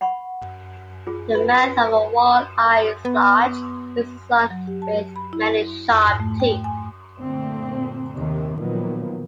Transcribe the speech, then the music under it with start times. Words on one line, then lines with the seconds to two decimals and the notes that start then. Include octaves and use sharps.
The mouth of a walleye is large and is armed with many sharp teeth.
0.01 F#5 B5 C#6
1.07 F4 G#4
1.35 B4
3.05 B3
4.50 F#3
4.67 G4
4.82 A5
5.16 B5
5.33 E4
5.90 F2
6.06 G#2
6.20 A3
6.40 G5
6.64 G#5
7.18 A#2 D3 A3 C4
8.15 D#2 C3 D#3
8.57 A#2 D#3 F3 F#3 A#3 B3